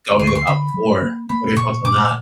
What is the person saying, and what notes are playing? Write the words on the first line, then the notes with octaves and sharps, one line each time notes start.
going about before. What are your thoughts on that?
D2 C6
C#6
C6
D3 B5
F#3
A#3
A#3 B5
A#2 C#6
A#2 D6